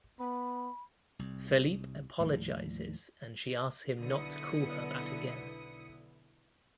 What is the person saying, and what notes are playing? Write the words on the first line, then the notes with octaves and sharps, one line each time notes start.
Felipe apologizes and she asks him not to call her that again.
B3 B5
C2
D#2 A2 F3 G3
B1 D3 B3 E4 D#6 C#7